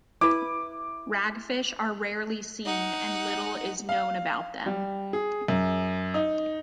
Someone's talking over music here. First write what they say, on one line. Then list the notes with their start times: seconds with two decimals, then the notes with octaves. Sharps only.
Ragfish are rarely seen and little is known about them.
0.21 E4 B4 D6
2.66 D#4 F#5
3.89 F5
4.66 G3
5.13 G#4
5.48 F#2
6.14 D#4